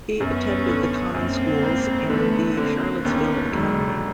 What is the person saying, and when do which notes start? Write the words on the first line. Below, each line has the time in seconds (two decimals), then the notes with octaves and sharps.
He attended the common schools and the Charlottesville Academy.
0.20 F#2 B3 C#4
0.68 D3
1.14 F#2 A#3 C4
1.62 G#1
2.10 D3 A3 B3
2.57 D3 A#3 C4
3.04 D#2 B3 C#4
3.52 E1 F#3 G#3